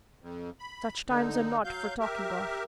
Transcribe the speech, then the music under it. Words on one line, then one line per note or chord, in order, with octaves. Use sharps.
Such times are not for talking of.
F2
B5
D3 D#4
F#3 F5 G6
G4 A#4 E5